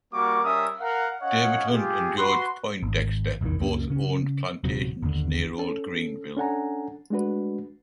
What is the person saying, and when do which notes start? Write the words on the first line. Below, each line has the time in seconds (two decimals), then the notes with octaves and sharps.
David Hunt and George Poindexter both owned plantations near Old Greenville.
0.13 G3 A#3 F#4 A#4 C#6 D6
0.42 G3 C#4 A#4 E5 D#6
0.80 A#4 F5 F#5
1.21 C#4 C#5 D#5 F5 F#5
1.69 F4 G4 G#4
2.17 F#4 B4 C6
2.83 G#1
3.41 F1 B1 E2 D#3
3.61 C#2 F#2 A#3 C#4
3.90 C#3 C#4
4.64 D#1 C3 F#3
5.02 G1 D#2 D3
5.58 C#4 A4
6.36 C#4 D4 A4 F#5 G#5 A#5
7.10 G#3 A3 D4 F#4 B4